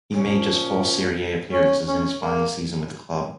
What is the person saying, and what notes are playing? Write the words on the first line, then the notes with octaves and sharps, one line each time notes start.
He made just four Serie A appearances in his final season with the club.
A#2 F3 C#4
C#4
C#4
A#3